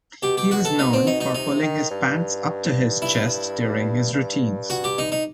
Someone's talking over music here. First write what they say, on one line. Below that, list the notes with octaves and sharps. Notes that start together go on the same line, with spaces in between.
He was known for pulling his pants up to his chest during his routines.
B2 G4
G4
F#4
A4
D#4
C4
D#4
D#4
C3 D#4
D#3
G2
E4
G2
F#4
G4
D#4
D#4